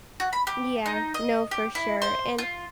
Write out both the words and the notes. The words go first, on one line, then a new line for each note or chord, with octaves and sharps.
Yeah. No, for sure. And
F#4
B5
G4
D#4
D#5
G4
E4
C5
F4